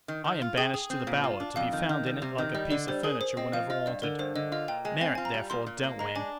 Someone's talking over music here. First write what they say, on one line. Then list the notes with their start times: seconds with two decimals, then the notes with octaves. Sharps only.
I am banished to the Bower, to be found in it like a piece of furniture whenever wanted. Merit, therefore, don't win.
0.08 D#3
0.24 D#3
0.42 F4
0.57 G#4 G5
0.74 G#4
0.90 C4
1.07 A#2
1.24 F4
1.40 D4
1.56 F2 F5
1.73 D#3
1.89 D#3
2.06 G3
2.22 C3
2.38 D#3
2.55 G3 D#5
2.71 D3 D5
2.88 G3 C5
3.03 G#4 A#4
3.21 G#4 C5
3.37 C4 D#5
3.53 F3 F5
3.70 F4 D#5
3.86 G2 D5
4.02 D3 A#4
4.19 G2 C5
4.35 D3 D#5
4.52 F4 D#5
4.68 A#2 G5
4.85 G#3 G#5
5.01 C4 G#5
5.15 F4 G#5
5.25 A#5
5.34 G3
5.50 A#2 C6
5.67 A#2
5.84 A#3
5.99 G#3 A#5
6.15 D4 G#5